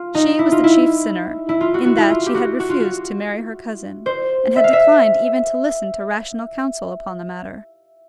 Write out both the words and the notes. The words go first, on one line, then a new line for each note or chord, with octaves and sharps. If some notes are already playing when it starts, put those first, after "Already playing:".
She was the chief sinner, in that she had refused to marry her cousin, and had declined even to listen to rational counsel upon the matter.
Already playing: F4
D#4
E4
F4
E4
E4
F4
F#4
F#4
E4
F4
G4
F#4
F#4
F4
F#4
C5
E5
F5
E5